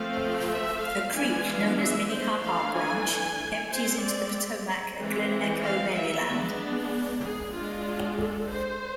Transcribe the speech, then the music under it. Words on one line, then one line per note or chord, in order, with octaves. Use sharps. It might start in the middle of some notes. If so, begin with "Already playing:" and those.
A creek known as Minnehaha Branch empties into the Potomac at Glen Echo, Maryland.
Already playing: F3 A3 C4 F5
E5
F5
E3 G#3 B3 D4 G#5
F5
E5
C5
E3 A3 D4 F5
G#5
G#3 C4 C5
D5
E3 G#3 C4
F5
E5
G#3 B3 D4
G#4
G#3 D4 F4
A4
C5